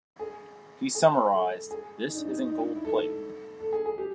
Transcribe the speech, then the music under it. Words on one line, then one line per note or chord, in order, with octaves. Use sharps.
He summarized, This isn't gold plate.
G#4
G#4
A4
G#4
D#4
D4
D#4
D#4
D4
E4
A4
A4
G#4
G#4
G4